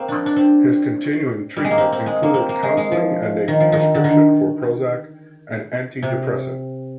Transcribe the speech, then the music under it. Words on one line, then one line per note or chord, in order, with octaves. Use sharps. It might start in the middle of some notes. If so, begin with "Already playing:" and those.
His continuing treatment included counseling and a prescription for Prozac, an anti-depressant.
Already playing: A#3 C4
D4
D4
C4
G3
G#3
A#3
C4
C4
G#3
A#3
C4
A#3
G#3
G#3
F3
D#3
F3
D#3
D3
D#3
C3